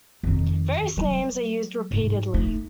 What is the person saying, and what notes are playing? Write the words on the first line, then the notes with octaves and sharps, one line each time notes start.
Various names are used repeatedly.
F2 D#3
F#3 G3
G#2 D#4
A3 D#4